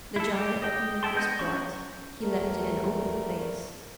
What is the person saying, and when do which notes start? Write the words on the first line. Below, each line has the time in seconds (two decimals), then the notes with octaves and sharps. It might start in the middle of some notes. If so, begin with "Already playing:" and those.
The jar that Epimetheus brought he left in an open place.
0.16 E4 A4
0.34 G4
0.62 D#5 G5
1.03 G#4 E5 G5 A5 C6
1.14 B3 D4 D#5 G6
1.39 F#3 C#4 D4 C#6
2.21 E2 G3 A3 A#4